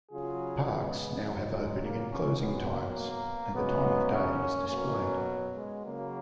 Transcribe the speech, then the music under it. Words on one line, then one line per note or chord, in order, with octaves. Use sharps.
Parks now have opening and closing times, and the time of day is displayed.
C#3 F#3 F4 G#4
G#3 B3
C#3 F#3 G#3
G#3
A#3
A#3 C#4
B2 F#3 G#3 B3
A#3
A#3
C#3 F#3 G#3 B3
A#3 C#4
B2 F#3 A#3 C#4
G#3
C#3 F#3 A#3